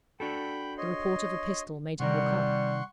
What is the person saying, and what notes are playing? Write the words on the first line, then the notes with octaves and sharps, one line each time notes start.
The report of a pistol made him look up.
D4 F#4 A4 G5 B5
C#5 D#5 C6
C3 D#3 G3 A#4 F#5 C6 C#6